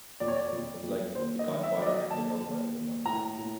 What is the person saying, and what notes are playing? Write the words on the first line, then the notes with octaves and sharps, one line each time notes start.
It's like "The Godfather" acted out by "The Munsters".
F2 D5
C#5
D5
F2
F2
D#2 C5
D#5
D#3
E5
F#3 D5
D#5
D#2 A5
D#2
D#2
A2 A#5
A2